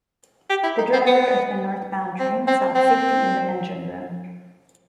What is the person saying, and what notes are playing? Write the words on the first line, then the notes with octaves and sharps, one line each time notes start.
The driver of the northbound train sought safety in the engine room.
G4
E4
D#4
C4
B3
C4
C4
C4